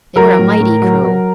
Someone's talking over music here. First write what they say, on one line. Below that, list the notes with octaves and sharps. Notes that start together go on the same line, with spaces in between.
They were a mighty crew.
F#3 A#4
A2
A2
F#3
F#3